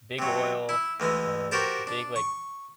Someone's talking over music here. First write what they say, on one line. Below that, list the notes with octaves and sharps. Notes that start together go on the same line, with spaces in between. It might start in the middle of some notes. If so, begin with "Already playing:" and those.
big oil, um, the big, like,
C3 F#3
E4
D2 E3 G#3
F#4 G4 A#4 C5 A5
D4
C#6